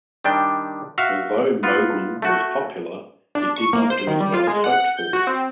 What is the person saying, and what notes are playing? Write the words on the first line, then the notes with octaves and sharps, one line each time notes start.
Although "Mogul" was popular, it did not do as well as hoped for.
D#3 G3 D4 G5
F#4 E5 F5
B3 F4
A3 F#4
D4
C#6
A#3
C5
D#3
G3
F4
G#3
F#5
G6
F#4
C4